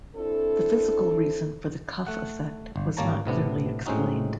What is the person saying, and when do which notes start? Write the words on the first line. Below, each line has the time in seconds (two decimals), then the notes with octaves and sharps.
The physical reason for the cuff effect was not clearly explained.
0.15 C4 D4 E4 A4
2.07 A3 F#5
2.76 G1
2.97 G#1 G3 A#3 C#5 A5 A#5
3.25 A2 C3 B3 D4
3.86 A2 G#3 C4 C#4 D#4 F#4